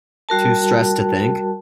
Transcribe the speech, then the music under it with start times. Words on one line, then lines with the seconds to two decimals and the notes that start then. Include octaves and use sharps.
Too Stressed to Think?
0.29 G3 F#4 A#4 A5